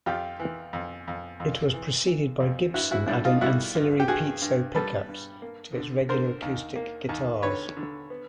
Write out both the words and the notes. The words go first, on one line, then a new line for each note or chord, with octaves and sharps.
It was preceded by Gibson adding ancillary piezo pickups to its regular acoustic guitars.
F2 F4 G4
E3
F2
F2
F2
E3
E3
F2
G2 E4 F#4
E4 F#4
G3 D4 E4
D#4 F4
G3 E4 F#4
G2
G4
G2 F#4 G#4
G2
G3 A4 B4
G2
A#3
D3
D3 A#4 C5
D#2
A#3
D#2
D3 B4 C#5
D3
B3